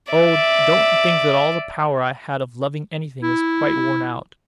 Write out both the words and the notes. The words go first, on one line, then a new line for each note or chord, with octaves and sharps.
Oh, don't think that all the power I had of loving anything is quite worn out!
D5 E5
E4